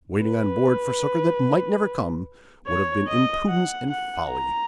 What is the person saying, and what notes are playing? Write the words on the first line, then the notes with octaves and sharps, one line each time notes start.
Waiting on board for succor that might never come, would have been imprudence and folly.
B4
C#5
D#5
F#5
F#5
A#5